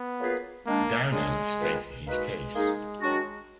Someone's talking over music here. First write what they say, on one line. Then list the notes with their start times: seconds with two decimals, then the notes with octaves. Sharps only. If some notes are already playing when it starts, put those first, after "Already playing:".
Downing stated his case.
Already playing: B3
0.19 F#3 A#3 F4 G#4 B4
0.66 D#3 G#3 A#3 D4
1.12 A#2 F#3 G#3 A#3 D4 G#4
1.60 D#3 A#3 F4 G#4 B4
2.07 G#3 A#3 D#4 F#4 B4
2.54 A#3 D#4 G#4
3.01 D#3 F#3 D4 F#4